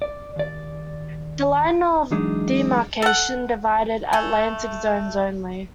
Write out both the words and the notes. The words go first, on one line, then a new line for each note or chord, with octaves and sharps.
The line of demarcation divided Atlantic zones only.
D5
D#2 D5
E3 F#3 G#3 D4 D#4
A4 F#5
A3 G#5